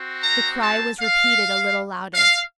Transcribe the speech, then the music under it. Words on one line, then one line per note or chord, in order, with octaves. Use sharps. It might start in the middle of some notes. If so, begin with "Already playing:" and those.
The cry was repeated a little louder.
Already playing: C4 F#4
A#5
A5
F5
F5